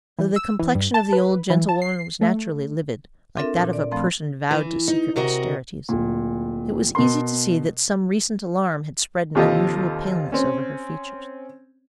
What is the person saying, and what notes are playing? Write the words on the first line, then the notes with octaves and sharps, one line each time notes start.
Though the complexion of the old gentlewoman was naturally livid, like that of a person vowed to secret austerities, it was easy to see that some recent alarm had spread an unusual paleness over her features.
E3
E6
E3
G2
A5
B4
E3
A5
C7
A3
C4 D4 F4 A4 A#4 E5
A#2
D5
F3 A3 C4 B5
E3
D#4
C3 F#4 A#4 D#5
D1 A#2
B2 A#4 C6
D#2 C3 F4 G4 A4 D#5
C4 C#4